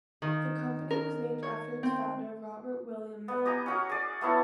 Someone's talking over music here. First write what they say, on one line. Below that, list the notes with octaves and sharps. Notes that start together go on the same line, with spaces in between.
The company was named after its founder Robert William Miller.
D#3
A#4
C#5
C4
B3
G4 D#5 G#5 A#5
C#4 F#4 A#4
G#4 D5
A3 B3 E4 C#5